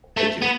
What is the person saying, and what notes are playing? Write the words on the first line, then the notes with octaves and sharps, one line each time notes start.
Thank you.
A3
B3